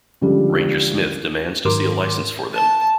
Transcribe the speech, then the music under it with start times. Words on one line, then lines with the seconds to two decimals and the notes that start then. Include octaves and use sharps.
Ranger Smith demands to see a license for them.
0.21 C#2 D3 F3 G3
1.65 G#2 D#3 F#3 A#4 C6 D6
2.53 A5